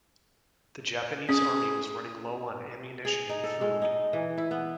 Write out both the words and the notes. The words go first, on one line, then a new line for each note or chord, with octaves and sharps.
The Japanese Army was running low on ammunition and food.
C#4 G#4
G#4
D#4
A4
G#3
D#4
E3
E4
B3